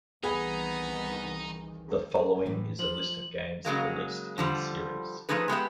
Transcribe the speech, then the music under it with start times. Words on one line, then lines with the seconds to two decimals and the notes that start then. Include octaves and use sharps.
The following is a list of games released in the series.
0.23 C2 D#3 E3 B3 D#4 G#4 G#5 B5
2.46 A2 E3
2.79 F3 F#7
3.65 C#3 F#3 G#3 A#3
4.38 D3 F3 G3
5.29 F3 A3 D#4 G#4 B4
5.48 G#3 B3 G4 E5